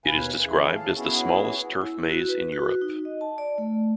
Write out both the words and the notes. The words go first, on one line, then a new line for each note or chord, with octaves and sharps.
It is described as the smallest turf maze in Europe.
D#2 B2 B4 F5 G#5
E3 C#4 E4 G#4
D#2 A4 F5 A5
B3 C#4 E4 F#4 G#4
E4
F#4
B4
F#4
D#4
D#5
A5
D5
A3